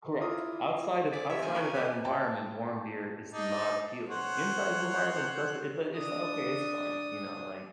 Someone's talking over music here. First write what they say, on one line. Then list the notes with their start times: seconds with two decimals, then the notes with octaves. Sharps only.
Correct, outside of outside of that environment, warm beer is not appealing, inside the environment, it doesn't it do it's not okay, it's fine, you know, like
0.20 E4 F4 A#5 D6 D#6
1.13 G#4 D5 B6
1.30 C3 C#5 E5
1.42 D#3 A#3 G#5
1.55 E3 C#4 A#4 G5 B5 F#6
1.74 A3 B3 D5 G5 D6
2.04 G5 A5
3.32 D4 D#4
4.09 C5 C#5 F#5
5.96 D4 D#6